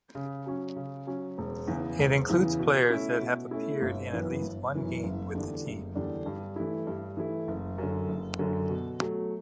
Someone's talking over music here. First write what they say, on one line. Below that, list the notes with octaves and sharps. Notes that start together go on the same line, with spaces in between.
It includes players that have appeared in at least one game with the team.
C#3
F#3 C#4
C#3
F#3 C#4
E1
E2 C#3 E3
E1
E2 C#3 E3
B2
A3 C#4 E4
B2
A3 C#4 E4
G1
F#2 E3 B3
G1
F#2 E3 B3
F#1
E2 D3 G3 D4
F#1
E2 D3 G3 D4
G2
E3 A3 E4
G2
E3 A3 E4
F#1
F#2 D3
F#1
F#2 D3
B2
F#3 A3